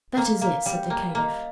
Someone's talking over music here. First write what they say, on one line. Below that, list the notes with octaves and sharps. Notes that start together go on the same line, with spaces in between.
"That is it," said the Caliph.
A#3 F5
A#3 F5
G3 G5
A#3
F5
A#3 D#5
F5